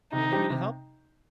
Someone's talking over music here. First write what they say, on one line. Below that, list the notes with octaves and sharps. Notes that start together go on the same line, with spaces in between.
Do you need me to help?
C3 D#4
G3 D4 G4 C5
C3